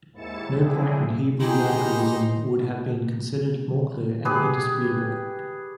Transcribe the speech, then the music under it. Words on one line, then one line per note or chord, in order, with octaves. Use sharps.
No point in Hebrew radicalism would have been considered more clear and indisputable.
D#2 G#2 E4 A6 C#7 E7
D3 C4 D4 E4 G#4
D#4 E4 G4 G#4 C5 A#5
G4 G#4 B4